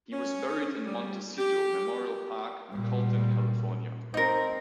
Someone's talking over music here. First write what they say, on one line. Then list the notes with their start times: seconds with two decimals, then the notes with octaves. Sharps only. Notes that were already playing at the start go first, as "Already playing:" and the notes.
He was buried at Montecito Memorial Park, in Colton, California.
0.11 C#4
0.85 G3
1.38 G4
2.72 A#2 G3
4.14 C4 D#4 A#4